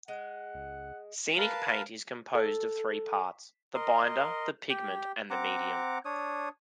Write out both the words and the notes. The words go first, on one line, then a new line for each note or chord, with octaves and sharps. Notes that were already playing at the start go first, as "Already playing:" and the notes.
Scenic paint is composed of three parts: the binder, the pigment and the medium.
G#3 F#5
C#2
A#4 B4 F5 A5
A4
A#4 D#5 C6
G4 G5
C4 F#5 A#5 D6
D4 C#5 D#6